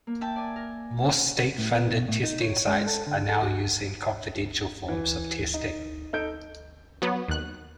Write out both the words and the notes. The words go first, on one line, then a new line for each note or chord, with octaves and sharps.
More state funded testing sites are now using confidential forms of testing.
A#3
E5 G5 A5
D5 G#5
A#4
A2
B3
B2
A2
D#4
C#5
G#3
A4
D3
A4
F#4
E3
D#4
D#4 A4 G6 D7
F#3 B3
D#2 F#6